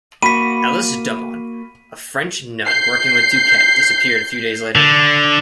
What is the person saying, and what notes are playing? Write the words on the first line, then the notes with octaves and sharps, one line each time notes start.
Alice Domon, a French nun working with Duquet, disappeared a few days later.
A#3 F#4 B5 B6 D#7
G6 C7
D3